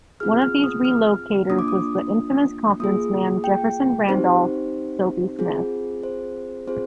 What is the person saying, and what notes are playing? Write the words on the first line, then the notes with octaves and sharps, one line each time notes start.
One of these relocators was the infamous confidence man Jefferson Randolph "Soapy" Smith.
C4 F4 G#4 F6
F6
D#6
F6
A#3 D4 F4 D#6
D6
D#6
A#3 F4 G#4 D#6
G5
C4 D#4 G4 C5
C4 F4 G#4
C5
C4 F4 G#4 C5